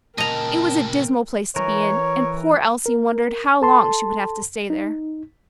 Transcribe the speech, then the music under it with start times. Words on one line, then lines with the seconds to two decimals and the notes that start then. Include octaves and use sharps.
It was a dismal place to be in, and poor Elsie wondered how long she would have to stay there.
0.18 A#2 C#3 A#4 D#5 G5 A5 A#5
1.56 E3 A#4 C#5
2.86 A#4
3.62 A4 A5 C6
4.70 D#4